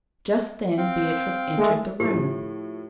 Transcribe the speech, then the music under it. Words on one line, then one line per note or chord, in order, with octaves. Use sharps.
Just then Beatrice entered the room.
C4 F5 G5
G#3 A3
A2 F3 G4